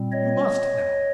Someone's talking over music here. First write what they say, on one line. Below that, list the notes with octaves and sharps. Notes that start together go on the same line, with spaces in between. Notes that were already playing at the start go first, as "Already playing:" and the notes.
You must, now!
Already playing: A#2 G3 C4
C#5 D#5